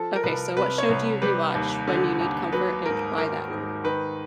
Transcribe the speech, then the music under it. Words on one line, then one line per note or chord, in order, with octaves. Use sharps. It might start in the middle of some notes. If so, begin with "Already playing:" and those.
Okay, so, what show do you rewatch when you need comfort, and why that one?
Already playing: F3 A4
A#4
C2 B4
C3 B4
C#5
C2
G3 B4
D#2
D3
D#2
F#3 B4
G#2 A#4
D#3 A#4
G#2
D#3 B4